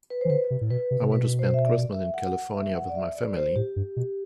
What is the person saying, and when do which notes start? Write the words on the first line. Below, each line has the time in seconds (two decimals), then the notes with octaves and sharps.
I want to spend Christmas in California with my family.
0.10 B4
0.21 C5
0.25 E3
0.30 D3 B4
0.51 C3
0.61 A2
0.71 B2 B4
0.91 C3
1.02 C3
1.12 B2 B4
1.39 C5
1.54 E5
1.66 D5
1.92 E5
2.14 F#5
2.33 F#5
2.54 E5
2.74 F#5
2.89 D5
2.95 E5
3.15 D5
3.36 C5
3.56 A2 G4
3.76 G2
3.97 B2